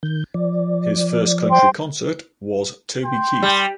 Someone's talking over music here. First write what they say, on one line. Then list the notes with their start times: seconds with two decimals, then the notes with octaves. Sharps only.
His first country concert was Toby Keith.
0.03 D#3 G6
0.34 F3 D5
1.50 C5 G5 C6
3.04 G5 C6
3.43 G3